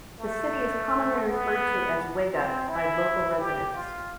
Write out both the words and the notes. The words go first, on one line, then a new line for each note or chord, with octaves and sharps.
The city is commonly referred to as "Wega" by local residents.
A3
B3
C4
E4
G4
F4